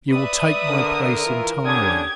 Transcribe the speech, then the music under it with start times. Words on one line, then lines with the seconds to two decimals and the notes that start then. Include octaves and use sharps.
You will take my place entirely.
0.11 B4 D5 E5 D#6
0.69 D3 A#4
1.27 E3 E4 F4
1.65 D3 C#4 D4 G4 D#6 G#6